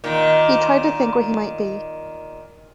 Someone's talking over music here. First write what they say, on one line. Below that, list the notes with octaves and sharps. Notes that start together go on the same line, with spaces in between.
He tried to think where he might be.
A#2 D#3